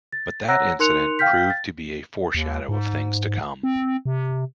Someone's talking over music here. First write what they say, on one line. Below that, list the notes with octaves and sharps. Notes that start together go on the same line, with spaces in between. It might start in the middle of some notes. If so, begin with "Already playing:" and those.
But that incident proved to be a foreshadow of things to come.
A6
C#5 F#5 A#5 E6 F#6 A#6
D#4 A#4 C6 F#6 C#7 F7
F5 G5 F6 G6 B6
A6
D#2
G#2
C4
C3